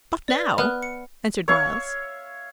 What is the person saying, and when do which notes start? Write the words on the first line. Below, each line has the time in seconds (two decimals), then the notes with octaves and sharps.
"Not now," answered Myles.
0.28 B4 D5
0.58 B3 F6 F#6
0.83 C#7
1.48 C#5 E5 F5 C#6